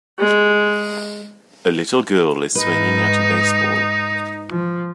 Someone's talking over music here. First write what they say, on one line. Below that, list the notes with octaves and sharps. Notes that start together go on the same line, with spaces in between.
A little girl is swinging at a baseball.
G#3
G#2 D#4 B4
F3